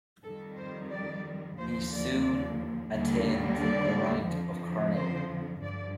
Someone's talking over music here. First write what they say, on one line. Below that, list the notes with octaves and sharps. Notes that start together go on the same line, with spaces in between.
He soon attained the rank of colonel.
F2 D#3 G3 A4
C5
D5
D#2 D3 F3 C5
D5
D#2 D3 G3
D5
F2 D3 F3
C5
G2 D3 F3 D5